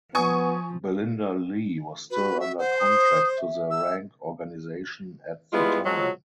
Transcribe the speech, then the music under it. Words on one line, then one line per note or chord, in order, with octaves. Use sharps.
Belinda Lee was still under contract to the Rank Organisation at the time.
F3 B3 G#5 C#6 D#6
F#4 B4
E5
C5 F#5
D#6
E5
E6
F3 G3 G#3 B3 E4 F4
F3 F#3 G#3